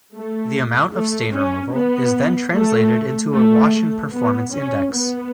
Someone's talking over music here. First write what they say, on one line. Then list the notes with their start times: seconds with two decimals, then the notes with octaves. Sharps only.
The amount of stain removal is then translated into a washing performance index.
0.15 A3
0.94 A3
1.35 C#4
1.74 B3
2.54 A3
3.34 A3
3.74 A3
4.14 B3
4.54 C#4
4.94 B3